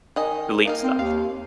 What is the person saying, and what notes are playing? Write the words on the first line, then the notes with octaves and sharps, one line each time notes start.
delete stuff.
D#3 D#5 G#5
A#3 D#4 A#4
C4
D#2 F5